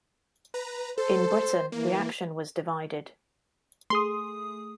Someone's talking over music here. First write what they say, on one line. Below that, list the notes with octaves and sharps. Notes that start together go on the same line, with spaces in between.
In Britain, reaction was divided.
B4 A#5
A4 C5
E3 A#3
A3 G#4 C6 D#6